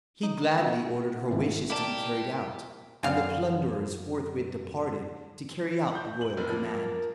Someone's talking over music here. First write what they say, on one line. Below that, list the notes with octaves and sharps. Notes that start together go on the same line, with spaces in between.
He gladly ordered her wishes to be carried out, and the plunderers forthwith departed to carry out the royal command.
D#4
F4 F#4 E5 F#5
G#1 A3 C4 E4
A#3 E4 G4 D5 A5
F#2 F5
G6
F#7
F1 A#4
F3 A#3